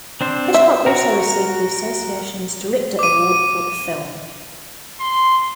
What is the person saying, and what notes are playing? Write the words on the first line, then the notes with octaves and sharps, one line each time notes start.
Hitchcock also received the Association's Director Award for the film.
C4 D4 C5
E5
F#4 A#4
D6 D#7
C6